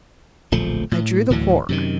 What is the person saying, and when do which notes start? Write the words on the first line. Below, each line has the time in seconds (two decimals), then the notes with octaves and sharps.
I drew the cork.
0.52 D1 A#1 F3 A3
0.92 A2
1.30 D2 A2 E3 F#3
1.69 F#2 C3 D#3